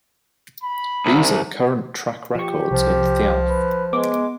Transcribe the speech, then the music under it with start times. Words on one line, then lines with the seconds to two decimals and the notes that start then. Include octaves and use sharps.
These are the current track records in Thialf.
0.63 B5
1.06 C2
2.35 F3 G4 C#6
2.71 C2 F3
3.50 B4
3.93 G#3 B3 D6